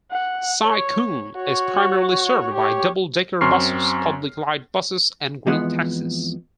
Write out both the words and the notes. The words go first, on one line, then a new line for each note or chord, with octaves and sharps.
Sai Kung is primarily served by double-decker buses, public light buses and green taxis.
F#5
C#5
F#4 C#5
G4 C#5
F#2 C4 C6 C#6 F6 C7
F2 E3 G#3 B3 F#5